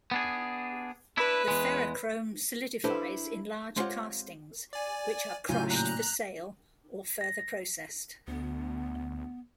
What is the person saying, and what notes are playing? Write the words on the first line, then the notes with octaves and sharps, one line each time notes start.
The ferrochrome solidifies in large castings, which are crushed for sale or further processed.
B3 D4 G#4
D4 E4 B4
E2 G#3
D4 E4 G4 A4 B4 C5
G#3 C4 F4 G4 C#5 F#5
D5 G#5
A2 C#3 F#3 F4 G#5 G6
A#2 A#5 F#6 G6
A#6
D2 B3